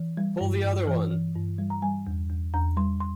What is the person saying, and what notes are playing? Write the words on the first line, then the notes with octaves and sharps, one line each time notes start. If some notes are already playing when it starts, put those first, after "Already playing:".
Pull the other one!
Already playing: E3
G3
G2
G2
E3
E3
G2
G3
A#5
G3 G#5
E2
E2
E2 A#5
G3 C6
C6